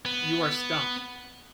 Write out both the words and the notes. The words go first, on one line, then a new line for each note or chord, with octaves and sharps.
You are stumped.
B3